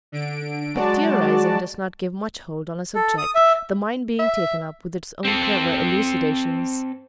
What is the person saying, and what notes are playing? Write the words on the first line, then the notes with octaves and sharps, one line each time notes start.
But theorizing does not give much hold on a subject, the mind being taken up with its own clever elucidations.
D3 D7
F#3 G#3 F#4 D5 A5
A4
D#6
E5
E5
C4 A4